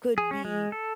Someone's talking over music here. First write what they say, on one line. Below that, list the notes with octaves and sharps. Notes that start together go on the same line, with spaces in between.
could be
G#4
C#4
G#3
A4